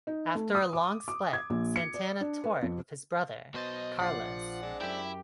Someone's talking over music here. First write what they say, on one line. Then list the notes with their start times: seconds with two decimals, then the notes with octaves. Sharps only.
After a long split, Santana toured with his brother, Carlos.
0.07 D#4
0.35 A3
0.55 D#6
0.73 D6
1.08 D6
1.33 G#6
1.50 A#1
1.76 C#7
1.94 D5
2.21 D4
2.44 B4
2.62 F2
3.54 B1 B2 C5 D#5 A6
4.00 A#1 F3 D5 F#5 C7
4.62 G#3 C4 D4
4.81 F#2 E4 G4 E5 G5